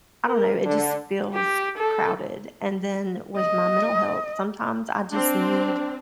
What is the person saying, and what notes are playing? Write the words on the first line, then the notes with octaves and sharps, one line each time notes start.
I don't know. It just feels crowded, and then with my mental health, sometimes I just need
A#4
D3
G4
A4
D#5
C4 D4